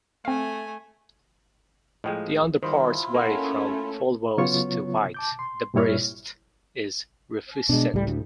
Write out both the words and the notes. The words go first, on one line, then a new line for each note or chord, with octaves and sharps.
The underparts vary from fulvous to white; the breast is rufescent.
A3 C4 F5 G#5
A2 F3 G#3 D#5 G5
D#3 G3 E4 F4 C5
A3 A#3 C#4 A#4 F#5
C#3 F#3 B3 F4 C#5 C#6
A5 D6 G6
C6
G2 A#2 G3 E4 C#5 F6
B2 G#3 D4
C#2 A2 G3
D2